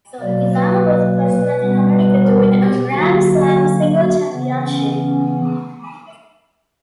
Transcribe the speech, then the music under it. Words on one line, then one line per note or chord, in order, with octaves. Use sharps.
Also, Lizana was the first Latin American to win a Grand Slam singles championship.
B2 F#3 A#3 D5
B4
B4
B2 G3 B3
B4
A#4
G4
D3 F#3 A#3 F#4
F#4
C#3 E3 B3
C#4
C#4